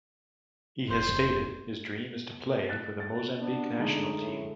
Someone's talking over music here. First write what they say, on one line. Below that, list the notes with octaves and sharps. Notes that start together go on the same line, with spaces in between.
He has stated his dream is to play for the Mozambique national team.
F1 F2 C5
F#6 A6
A6
B3 D4
D3 G#3 A3 D#4
A2